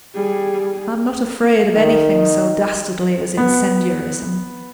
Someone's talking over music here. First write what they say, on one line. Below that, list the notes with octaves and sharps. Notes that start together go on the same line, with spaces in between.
'I'm not afraid of anything so dastardly as incendiarism.
G3 G#4
D#3
B3